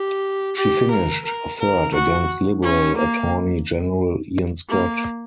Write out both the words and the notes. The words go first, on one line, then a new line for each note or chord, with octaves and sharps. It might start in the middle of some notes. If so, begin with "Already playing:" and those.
She finished third against Liberal Attorney-General Ian Scott.
Already playing: G4
G4
A#4
A#4
A#4
F#4
C#4
A#3
A#3